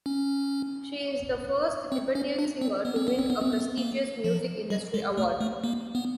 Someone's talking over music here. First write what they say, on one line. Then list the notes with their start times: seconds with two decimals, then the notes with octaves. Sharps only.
She is the first Tibetan singer to win a prestigious music industry award.
0.06 C#4
1.92 C4
2.15 C#4
2.39 D4
2.61 C4
2.85 B3
2.96 C4
3.08 B3
3.19 C4
3.30 B3
3.41 C4
3.52 B3
3.78 A#3
4.24 F3
4.70 G3
4.94 G#3
5.17 A3
5.41 A3
5.64 A#3
5.95 B3